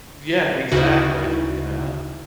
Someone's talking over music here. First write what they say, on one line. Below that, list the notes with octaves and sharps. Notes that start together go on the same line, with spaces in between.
Yeah, exactly, you know?
D2 C#3 D#4 E4 F#4